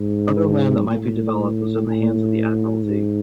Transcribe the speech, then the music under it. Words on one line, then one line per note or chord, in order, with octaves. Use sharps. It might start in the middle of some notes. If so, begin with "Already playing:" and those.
Other land that might be developed was in the hands of the Admiralty.
Already playing: G#2
A2
A2
G#2